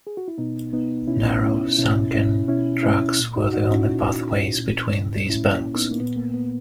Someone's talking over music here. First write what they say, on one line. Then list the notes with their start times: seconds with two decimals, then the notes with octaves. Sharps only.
Narrow sunken tracks were the only pathways between these banks.
0.07 G#4
0.17 F#4
0.28 E4
0.38 B2 B3 D#4
0.73 B3 D#4
1.08 B2 C#4 E4
1.44 C#4 E4
1.78 B2 C#4 E4
2.14 C#4 E4
2.48 B2 C#4 E4
2.83 C#4 E4
3.19 A#2
3.36 D#4 F#4
3.53 D#4 F#4
3.66 F#4
3.71 C#4 E4
3.89 A#2
4.58 A#2
5.29 A#2 C#4 E4
5.52 A#3 C#4
5.75 B3 D#4
5.91 A#3
6.00 A#2 B3
6.16 A#3
6.34 B3